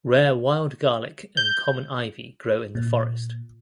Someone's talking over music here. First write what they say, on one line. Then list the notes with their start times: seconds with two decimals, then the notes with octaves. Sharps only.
Rare wild garlic and common ivy grow in the forest.
1.37 G6
2.75 A#2